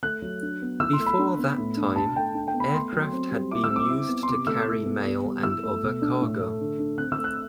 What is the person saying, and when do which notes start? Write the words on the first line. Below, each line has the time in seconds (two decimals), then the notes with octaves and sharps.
Before that time, aircraft had been used to carry mail and other cargo.
0.03 A3 F#6
0.22 F#3
0.42 D4
0.62 B3
0.80 E4 E6
0.93 C6
0.99 A3
1.06 B5
1.19 D4
1.38 B3
1.58 A2
1.77 D4
1.96 D4 A5
2.16 A3 G5
2.35 D4
2.47 G5
2.54 B3
2.60 B5
2.74 A3 C6
2.92 F#3
3.13 C4
3.31 G3
3.51 E4 D6
3.64 E6
3.70 C4
3.76 D6
3.89 E4
4.08 B3
4.23 C6
4.28 C3 D6
4.47 A3 E6
4.67 E4
4.85 B3
5.05 B3
5.25 G3
5.43 E4 E6
5.63 A3
5.83 B2
6.02 D4
6.22 A2
6.40 A3
6.60 D3
6.79 D4
6.98 C4 F#6
7.12 E6
7.18 A3
7.24 F#6